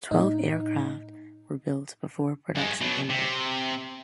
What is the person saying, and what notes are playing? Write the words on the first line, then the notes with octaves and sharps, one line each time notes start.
Twelve aircraft were built before production ended.
A2 D#4
G2 G#3
B2 F#3
C3